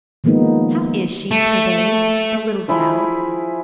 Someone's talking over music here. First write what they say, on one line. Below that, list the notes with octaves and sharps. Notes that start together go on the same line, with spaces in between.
"How is she, ter-day--the little gal?"
D#3 F3 G#3 A#3 B3 D#4
A3
F3 E4 G#4 B5